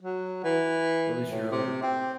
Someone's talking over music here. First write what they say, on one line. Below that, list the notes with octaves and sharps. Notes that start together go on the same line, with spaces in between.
At least you're
F#3
E3
A2
C3
C4